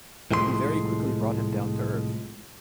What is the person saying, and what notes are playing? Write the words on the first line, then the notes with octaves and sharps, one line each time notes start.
We very quickly brought him down to earth.
C2 A2 F3 G#3 A4 C6